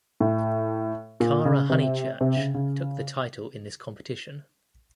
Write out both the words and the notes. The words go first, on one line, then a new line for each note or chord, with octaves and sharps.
Cara Honeychurch took the title in this competition.
A2
A#2
C#3
C3
C3
C#3
C#3